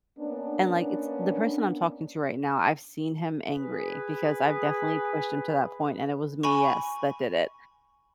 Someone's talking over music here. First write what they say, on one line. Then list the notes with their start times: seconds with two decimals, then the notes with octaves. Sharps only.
and, like, it's the person I'm talking to right now, I've seen him angry because I've definitely pushed him to that point, and it was me, yes, that did it,
0.18 A#3 B3 C#4 D4
3.48 G#4 B4
6.43 G#5 B5 C#6